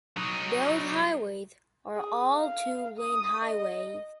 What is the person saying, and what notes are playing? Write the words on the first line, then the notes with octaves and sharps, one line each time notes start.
Those highways are all two lane highways.
F#3 D#4
G#4
F5
D#6
D#5